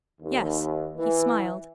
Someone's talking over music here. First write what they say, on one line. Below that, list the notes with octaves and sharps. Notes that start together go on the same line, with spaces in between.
Yes, he smiled.
D#2
E3